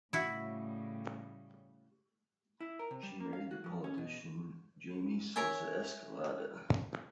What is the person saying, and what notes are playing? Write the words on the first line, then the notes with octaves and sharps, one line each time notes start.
She married the politician Jaime Sosa Escalada.
A2 C#3 G3 E4 F#4
E4
A#4
C3
G3
A#3
F5
F#4
F3
C#4
B2
A#4 C#5 E5 G#5